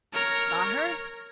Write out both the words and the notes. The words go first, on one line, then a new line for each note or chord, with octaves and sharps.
"Saw her?"
A#4 C#5